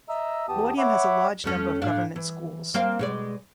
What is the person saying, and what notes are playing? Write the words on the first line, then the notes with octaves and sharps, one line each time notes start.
Laudium has a large number of government schools.
D#5 E5 A#5 E6
E2 B3 G4 A5 D#6
C#5 E5 F#5 B5 D6
F2 A3 C#4
A2 D4 F5
E3
A#3 C4 F5
B2 G#3 D5